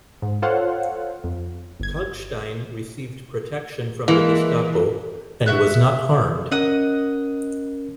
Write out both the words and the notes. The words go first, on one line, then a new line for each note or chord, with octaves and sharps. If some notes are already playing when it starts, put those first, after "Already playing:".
Kalkstein received protection from the Gestapo and was not harmed.
G#2
F4 A4 C5 C#5 F5 F#5
F2
G1 G#6
E3 G#3 A#3
F#4 E5 F#6
C#4 A#4 D#5 F#5 D#6